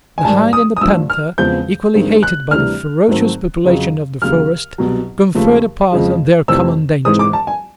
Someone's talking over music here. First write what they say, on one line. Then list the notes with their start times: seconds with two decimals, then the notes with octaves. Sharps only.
The hind and the panther, equally hated by the ferocious population of the forest, conferred apart on their common danger.
0.18 G#5
0.24 G#2 D#3 G3 A5
0.53 D#6
0.77 D#6
0.81 G2 D3 F3 A3 E6
1.10 F6
1.38 E2 C#3 F3 G#3 C4 G6
1.95 G2 D#3 G#3 C4
2.23 F#6
2.51 D2 C3 E3 G3 F6
3.08 G#2 D#3 F#3 A3 C4
3.65 F2 C#3 F#3
4.22 D#2 C#3 F#3 F6
4.78 C2 B2 F#3
5.35 D#2 C#3 F3 A3
5.92 F2 C#3 F3 G#3
6.48 F2 C3 E3 A3 C4 E6
7.05 G#2 E3 G#3 C4 D#6
7.19 D6
7.33 A5
7.47 G#5